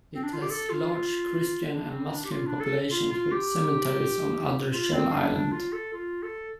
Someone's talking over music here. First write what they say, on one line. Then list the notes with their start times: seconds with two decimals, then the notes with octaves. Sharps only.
It has large Christian and Muslim populations with cemeteries on another shell island.
0.15 C4
0.23 D4
0.33 F4
0.42 G4
0.50 A4
0.70 F4
0.90 F4
1.70 D4
1.91 C4
2.11 D4
2.24 G4
2.31 F4
2.47 D4
2.61 A4
2.91 F4
3.12 F4
3.31 G4
4.72 F4
4.93 C4
5.12 D4
5.32 D4
5.52 F4
5.73 A4
5.93 F4
6.22 A4